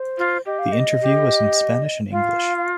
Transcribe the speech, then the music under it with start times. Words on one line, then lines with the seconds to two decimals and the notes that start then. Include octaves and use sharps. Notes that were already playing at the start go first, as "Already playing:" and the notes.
The interview was in Spanish and English.
Already playing: C5
0.18 F4
0.46 G4 D#5
0.59 F5
0.72 D#5
1.01 G4
2.12 F4 F5
2.58 F5